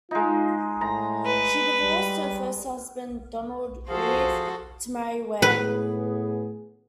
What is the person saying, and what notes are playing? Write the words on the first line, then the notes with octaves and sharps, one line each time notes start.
She divorced her first husband, Donald Reeve, to marry Weir.
G#3 D#4 F4
A2 A#5
B4
G3
F3 F#4 G#4 A4 C5 F5
A2 B3 G#4 B4